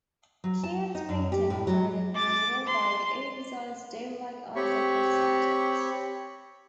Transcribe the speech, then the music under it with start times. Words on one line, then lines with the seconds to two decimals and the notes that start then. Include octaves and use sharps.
Keane's paintings are recognizable by the oversized, doe-like eyes of her subjects.
0.44 F#3
0.63 A5
0.95 D#4
1.09 F#2
1.32 G4
1.50 A2
1.67 F#3
2.15 D6 A6
2.67 C6
4.56 C4 G4 C#5 B5 C#6